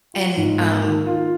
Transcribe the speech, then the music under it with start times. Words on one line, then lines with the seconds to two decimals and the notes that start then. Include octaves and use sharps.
And, um,
0.14 F4
0.37 G#2
0.60 A#3
0.83 D#3
1.07 F4